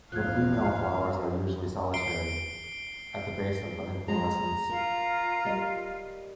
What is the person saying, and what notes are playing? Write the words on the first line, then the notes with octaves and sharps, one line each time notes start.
The female flowers are usually solitary, at the base of the inflorescence.
A1 E2 F3 F5 F#6 G#6
C7 D7 G7
G#3 A#5
F4 A#4
G3 A#4 D#5